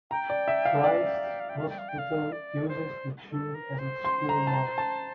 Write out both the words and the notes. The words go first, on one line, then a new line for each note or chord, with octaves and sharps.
Christ's Hospital uses the tune as its school march.
G5 A#5
D5
E5
F5
D5
G5
G5
F5
G5
F5
G5
F5
G5
F5
D5
C5
A4
A#4
C5
C6
A#5
A5
A#5
A5